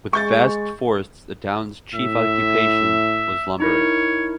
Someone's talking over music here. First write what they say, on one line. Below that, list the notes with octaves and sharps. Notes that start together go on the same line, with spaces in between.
With vast forests, the town's chief occupation was lumbering.
G#3 C#6 G6 A6
A2 E5
D#4 E4 A#4 C#5